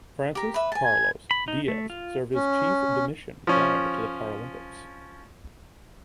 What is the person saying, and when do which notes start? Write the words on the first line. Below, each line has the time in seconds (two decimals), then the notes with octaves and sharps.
Francis Carlos Diaz served as chef de mission prior to the Paralympics.
0.35 G4 A#4
0.54 B4 E5
0.72 G#5 A5
0.84 G#6
1.31 B5
1.48 D#4
1.68 A3
1.90 F4
2.35 C#4
3.47 F3 C#4